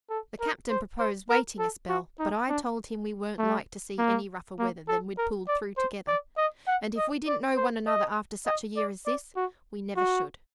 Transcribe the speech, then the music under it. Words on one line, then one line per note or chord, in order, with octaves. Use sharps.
'The captain proposed waiting a spell; but I told him we weren't like to see any rougher weather than we'd pulled through together, and if we didn't know one another after such a year as this, we never should.
A4
A#4
C5
C5
A#4
A4
F#4
D#4
D4
A3
A#3
A#3
A4
A#4
D5
C5
D5
D#5
F#5
D#5
D5
C5
D#5
D#5
D5
D5
F#4
F#4